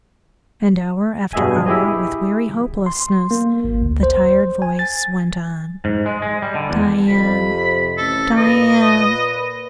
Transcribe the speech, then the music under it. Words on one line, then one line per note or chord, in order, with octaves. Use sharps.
And hour after hour with weary hopelessness the tired voice went on--"Diane, Diane...."
G2 B2 G#4 D#5 E5 G#5
E4 G4 G#4 D#5
C6
A#3
G#1
D2
C5
G#5
A6
G#2
G#3
G#3
G3
D3
E2
F2 C3 B5
A1 A4
A#2 B4 D#5